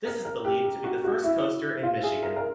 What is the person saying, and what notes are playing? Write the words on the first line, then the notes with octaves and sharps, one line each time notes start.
This is believed to be the first coaster in Michigan.
A#4
A#4
G4
G4
F#4
F#4
E4
F4
G#4
A#4
A#4